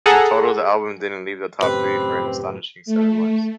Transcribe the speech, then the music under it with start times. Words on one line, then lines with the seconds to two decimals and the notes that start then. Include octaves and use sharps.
In total, the album didn't leave the top three for an astonishing seven months.
0.06 G#4 A4 F#5 A#5
1.62 F#2 A2 C#3 C4 G4 B4
2.86 A3